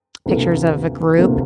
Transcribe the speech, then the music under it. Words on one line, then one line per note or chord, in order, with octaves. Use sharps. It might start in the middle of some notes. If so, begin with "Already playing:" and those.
pictures of a group,
D2 C3 E3 A#3
D2 C3 E3 A#3